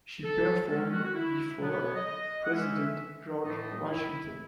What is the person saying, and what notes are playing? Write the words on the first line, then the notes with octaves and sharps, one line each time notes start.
She performed before President George Washington.
A4
D#3 G#3 C#4 A4
F#4
F#4
E4
B2 F#3 B3
A4
C#5
D#5
D#5
F#5
E3 G#3 C#4 E5
A2 E3 A3 D#5
E4